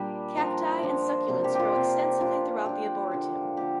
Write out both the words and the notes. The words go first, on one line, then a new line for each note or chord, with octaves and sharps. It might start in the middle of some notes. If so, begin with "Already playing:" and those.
Cacti and succulents grow extensively throughout the Arboretum.
Already playing: A#2 G3 D4 G4
F3 D4 A#4
F3 D4
C3 A#3 D4
G4
F4 G4
C3 A#3 D4
F3 D4 F4
F3 D4 G4
D3 F3 A#3
D3 F3 A#3 G4